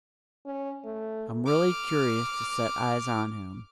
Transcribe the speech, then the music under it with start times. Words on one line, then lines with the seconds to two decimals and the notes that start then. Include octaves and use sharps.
I'm really curious to set eyes on him.
0.46 C#4
0.85 A3
1.46 D6 F6